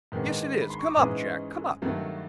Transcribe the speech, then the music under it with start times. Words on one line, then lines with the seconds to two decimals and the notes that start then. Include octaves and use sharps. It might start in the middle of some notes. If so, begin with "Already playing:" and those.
Yes, it is. Come up, Jack; come up.'
0.12 G#2 D#3 G#3 B3 D4
0.62 B5
0.70 C6
0.79 C#6
0.89 D6
0.96 G#2 E3 G#3 C#4 D#6
1.82 G2 D#3 F#3 A3